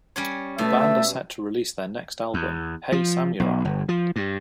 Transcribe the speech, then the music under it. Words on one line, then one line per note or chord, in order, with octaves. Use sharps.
The band are set to release their next album, Hey Samurai!
G3 C#4 C#5
B2 A3 E5
E2
F3
B1
G1
F3
G2